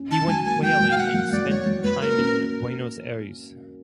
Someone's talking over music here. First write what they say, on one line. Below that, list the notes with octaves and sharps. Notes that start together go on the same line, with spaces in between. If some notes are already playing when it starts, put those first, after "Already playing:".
He went whaling and spent time in Buenos Aires.
Already playing: C#4
D#3 A5
F#3 G#5
A#3 G#5
F#3 G5
F#3
F5
A#3 F#5
F#3
F#3 D5
F#3 C#5
F#3
F#3 B4
A#3 A#4
C#4